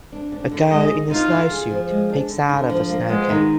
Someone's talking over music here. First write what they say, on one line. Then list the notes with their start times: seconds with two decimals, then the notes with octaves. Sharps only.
A girl in a snowsuit peeks out of a snow cave.
0.12 D4
0.32 D4
0.51 D3
0.71 G#3 D#5
0.91 D#4
1.11 D#4 F4
1.31 D3
1.50 G#4
1.71 F3
1.90 G#3
2.10 D4
2.30 D3
2.49 D3
2.70 F3
2.89 A#3
3.09 G#3 B3
3.29 D#3